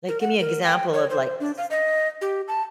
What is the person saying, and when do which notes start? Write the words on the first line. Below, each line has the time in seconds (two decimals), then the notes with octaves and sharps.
Like, give me an example of, like, s
0.08 A#4
0.21 F#5
0.40 A#4
0.64 G5
0.93 C#5
1.10 C5
1.40 D4
1.58 F5
1.70 D#5
2.21 G4
2.48 A5